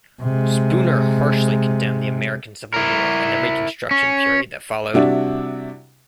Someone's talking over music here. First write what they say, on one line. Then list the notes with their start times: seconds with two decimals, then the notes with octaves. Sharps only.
Spooner harshly condemned the American Civil War and the Reconstruction period that followed.
0.21 C3 G#3
2.74 E4 A#4
3.91 C#4
4.94 C3 G3 D4 E4 F#4